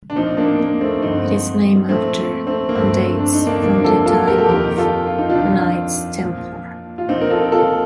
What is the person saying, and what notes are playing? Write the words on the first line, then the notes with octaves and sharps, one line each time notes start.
It is named after, and dates from the time of, the Knights Templar.
D4
A#2 F3 C4 D#4
A#3 D4
A#3
A3 C4
G2 D3 F3 C4 D#4
A#2 F3 A3 C4
A3 C4
A#3
G2 F3 A3 C4
D4
D#4
A#3 D4
F2 C3 D#3 A#3 D4
F4 A4
F4 A4
G4 A#4
A4
F2 D#3 G4 A#4
F4 A4
F4
D#4
D4 F4
F2 D#3
A#2 F3
F4
A#2 F3 C4 D#4
A#4
F4 A4
F4 A4